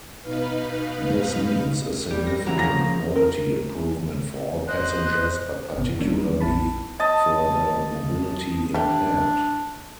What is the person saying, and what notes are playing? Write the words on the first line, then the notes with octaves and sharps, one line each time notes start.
This means a significant quality improvement for all passengers but particularly for the mobility-impaired.
B2 D#4 B4 F5
G3 G4
A#6
E3 F#3 E4 A#5
C#3 F3 A#3 A#6
A#4
C5 D#5 F#6
G1 C3 B3
D#3 F#3 G3 A#3 C#4 D4
A#1 B3 E4 A5 B5
D#5 A5
A3 D4 G4